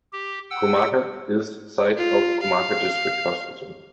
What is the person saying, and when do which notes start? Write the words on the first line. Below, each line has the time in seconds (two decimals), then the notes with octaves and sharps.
Kumaka is site of Kumaka District Hospital.
0.13 G4
0.51 F#5 G5 E6
1.97 F4
2.42 F5